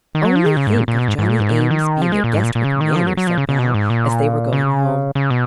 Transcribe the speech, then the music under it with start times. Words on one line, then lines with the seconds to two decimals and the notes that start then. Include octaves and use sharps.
"Only think of Johnny Eames being at Guestwick Manor!" said Bell, as they were going home.
0.15 D#3
0.25 F#3
0.36 F3
0.46 D#3
0.57 C#3
0.67 G#2
0.78 A#2
0.88 A#2
0.99 B2
1.08 G#2
1.19 G#2
1.29 A#2
1.40 G#2
1.50 A#2
1.61 B2
1.71 D#3
2.02 F3
2.12 G#3
2.24 A#2
2.34 G#2
2.44 A#2
2.55 A#2
2.64 C#3
2.81 D#3
2.96 F3
3.07 F#3
3.17 F#3
3.27 F3
3.38 C#3
3.49 C#3
3.59 B2
3.74 G#2
3.90 A#2
4.53 C#3
5.15 C#3
5.30 B2